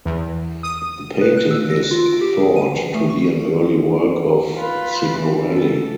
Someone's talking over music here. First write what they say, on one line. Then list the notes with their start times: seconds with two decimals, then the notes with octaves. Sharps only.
The painting is thought to be an early work of Signorelli.
0.05 E2
0.63 D#6
1.21 B4
1.37 F#6
1.51 E6
1.70 A#6
1.91 F4
2.06 D7
2.21 G4
2.40 G#4
2.56 D#7
2.75 E3
2.94 A3
3.10 C#6
4.56 F4 B4
5.14 E3
5.48 A4